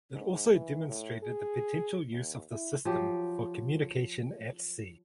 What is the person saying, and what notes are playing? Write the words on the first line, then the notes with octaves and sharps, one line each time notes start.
It also demonstrated the potential use of the system for communication at sea.
G#2
E3
A2
G#4
D#2
E4
F3 F#3 G4